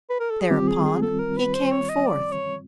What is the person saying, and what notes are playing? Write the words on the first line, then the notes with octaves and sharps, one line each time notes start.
Thereupon he came forth.
B4
A#4
A4
G#4
D#3 G3 C4 F4 G4
G#4
G#4
A4
A#4
B4
C5
C#5
D#5
D5
C#5